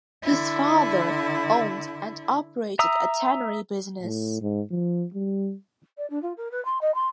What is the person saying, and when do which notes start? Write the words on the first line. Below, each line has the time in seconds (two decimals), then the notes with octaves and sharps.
His father owned and operated a tannery business.
0.23 D3 E4
2.79 E5 A#5 D#6 E6
4.03 A2
4.42 G#2
4.71 F3
5.14 G3
5.98 D5
6.10 D4
6.22 F4
6.37 A#4
6.51 B4
6.65 C6
6.81 D#5
6.95 C6